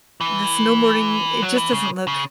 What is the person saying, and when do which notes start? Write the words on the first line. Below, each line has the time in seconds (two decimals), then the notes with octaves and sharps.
the snowboarding, it just doesn't look
0.21 E3
1.42 F#3
1.57 E3
1.73 C#3
2.07 C#3